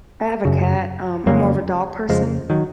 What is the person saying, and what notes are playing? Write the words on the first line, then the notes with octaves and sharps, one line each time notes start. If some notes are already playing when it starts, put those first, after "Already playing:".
I have a cat, um, I’m more of a dog person,
F#2 C#3
F2 C#3 F#3 A#3
F2 C#3 F3 G#3
D#3 F#3